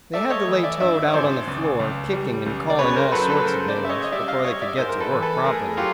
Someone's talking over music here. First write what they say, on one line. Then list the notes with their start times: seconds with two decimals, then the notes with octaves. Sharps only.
They had to lay Toad out on the floor, kicking and calling all sorts of names, before they could get to work properly.
0.14 A3 D5 E5
0.30 C#5 D#5
0.47 E3
0.63 D5 E5
0.80 G2 D5 E5
1.08 C#5
1.13 G#1 C5 D5
1.47 C#2
1.80 C#2
2.13 G3
2.46 C#2
2.70 D5
2.79 C#3 B4 C#5
2.96 A#4 C5
3.12 F#3 A4 B4
3.21 C5
3.29 A4 B4
3.45 C#3 A#4 C5
3.68 C5 D5
3.78 C#3
3.85 E5
3.89 C#5 D#5
4.04 D#5
4.12 G3 D5 E5
4.28 D#5 F5
4.45 G3 C#5 D#5
4.61 D5 E5
4.78 G#2 A#4 C5
4.89 A#4
5.00 A4 B4
5.11 E3
5.22 A4 B4
5.44 A3 G#4 A#4
5.77 F#3 F4 G4